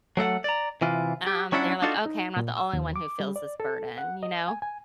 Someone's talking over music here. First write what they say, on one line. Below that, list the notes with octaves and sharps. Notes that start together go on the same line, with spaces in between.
um, they're like, "Okay. I'm not the only one who feels this burden," you know?
F#3 A3 A4 F#5
D5 A#5
C3 E3 F4
G4
F#3 C#4 D4 E4 F#5
D4 D#4 F4 F#4 A4
D#4
A#2
E6
D#2
D6
G3
D5
A4
F#5
D#5
G#5
G#5